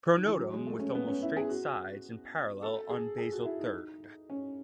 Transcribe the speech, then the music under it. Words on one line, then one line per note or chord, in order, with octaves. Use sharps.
Pronotum with almost straight sides and parallel on basal third.
D#3
E3
F#3
G#3
A3
C#4
B3
C#4
E4
G#4
F#4
A4
G#4
G#4
F#4
E4
D#4
C#4